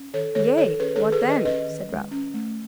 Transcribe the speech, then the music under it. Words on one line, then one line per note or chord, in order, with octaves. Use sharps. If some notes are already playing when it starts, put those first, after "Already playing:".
"Yea, what then?" said Ralph.
Already playing: C#4
D#3 A4 C#5
D#3 A4 C#5
D#3 A4 C#5
C#4 G#4 B4
A4 C#5
D#3
G#4 B4
D#3 B4 D#5
C#4 B4 D#5
D#3
G#3
C#4
A3